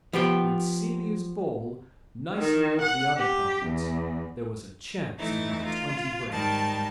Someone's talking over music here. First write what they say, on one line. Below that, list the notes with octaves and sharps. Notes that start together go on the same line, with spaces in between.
With Celia's ball nicely over the other pocket there was a chance of my twenty break.
F3 B3 G4
D#3
F#5
G4
E2
E3 A3 D#4 E4
F4
G#2 D#3 G3 A5